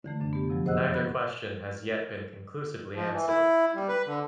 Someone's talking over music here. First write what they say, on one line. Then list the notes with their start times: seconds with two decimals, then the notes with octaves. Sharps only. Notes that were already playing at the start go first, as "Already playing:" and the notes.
Neither question has yet been conclusively answered.
0.05 D3 E3 A3
0.20 F#2 C3 D4
0.33 B3 G4
0.48 F2 C3 F3 F#3
0.66 G#4 C5 D#5 F#5 E6 F#6
0.94 B3 B5 F#6
2.95 F3
3.13 E3
3.28 E4
3.75 G3
3.88 B4
4.06 D3